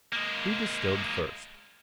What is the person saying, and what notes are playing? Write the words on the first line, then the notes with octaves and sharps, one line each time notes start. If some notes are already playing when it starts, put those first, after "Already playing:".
Who distilled first?
G#3 A#3